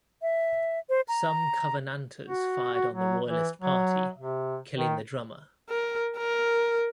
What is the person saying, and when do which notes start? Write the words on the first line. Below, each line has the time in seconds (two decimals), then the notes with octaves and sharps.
Some Covenanters fired on the Royalist party, killing the drummer.
0.22 E5
0.89 C5
1.08 A#5
2.26 F#4
2.74 F#4
2.94 F#3
3.26 E3
3.61 F#3
4.18 C3
4.76 D#3
5.70 A#4
6.17 A#4